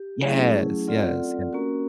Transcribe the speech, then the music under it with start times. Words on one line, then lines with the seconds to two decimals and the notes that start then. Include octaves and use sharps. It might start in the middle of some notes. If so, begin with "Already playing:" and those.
Yes, yes, yes.
Already playing: G4
0.24 F#3 A3 C#4 E4 G#4
0.88 C4 F4 A4 D5 F#5
1.53 A#3 C#4 F#4 A#4